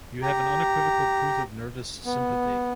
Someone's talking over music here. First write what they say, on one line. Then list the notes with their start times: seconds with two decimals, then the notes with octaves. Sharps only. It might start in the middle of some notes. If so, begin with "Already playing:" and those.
You have an unequivocal proof of nervous sympathy.
0.22 G4 A#5
2.05 B3